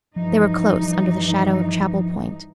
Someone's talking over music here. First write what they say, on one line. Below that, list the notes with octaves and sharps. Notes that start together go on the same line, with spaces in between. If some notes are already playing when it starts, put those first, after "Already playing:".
They were close under the shadow of Chapel Point.
G2 E3 F3 D#4